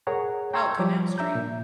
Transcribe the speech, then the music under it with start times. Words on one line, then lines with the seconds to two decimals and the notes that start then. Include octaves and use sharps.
Oh, Canal Street.
0.07 G#4 A#4 C#5 F#5 A#5
0.53 G5 A#5 C6 C#6 E6 G#6
0.79 F3 G3 C#5 D6
1.18 D4 E5 A#5 G6
1.35 A#2